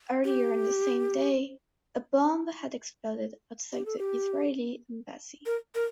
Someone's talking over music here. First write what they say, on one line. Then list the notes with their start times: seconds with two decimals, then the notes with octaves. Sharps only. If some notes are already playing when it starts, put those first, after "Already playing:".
Earlier on the same day, a bomb had exploded outside the Israeli embassy.
0.25 G4
3.72 G4
3.86 A4
3.98 G4
5.46 A#4
5.75 A#4